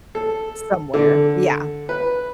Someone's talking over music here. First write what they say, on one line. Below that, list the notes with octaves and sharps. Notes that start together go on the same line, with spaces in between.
somewhere yeah,
A4
D3
B4